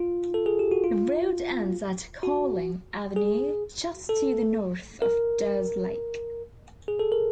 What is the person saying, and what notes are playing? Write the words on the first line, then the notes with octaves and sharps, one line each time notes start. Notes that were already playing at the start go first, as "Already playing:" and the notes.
The road ends at Carling Avenue, just to the north of Dow's Lake.
Already playing: F4
A4
G#4
G4
F#4
F4
F#4
G#4
A4
A#4
G#4
A4
A#4